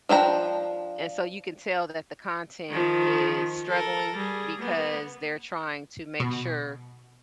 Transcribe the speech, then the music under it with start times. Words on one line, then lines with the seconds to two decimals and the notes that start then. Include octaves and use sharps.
And so you can tell that the content is struggling because they're trying to make sure
0.09 F3 D4 G5 A#5
2.70 D#3 F3
3.67 A4 A#4
4.17 G3 G#4
4.60 A#3 B3
6.20 B2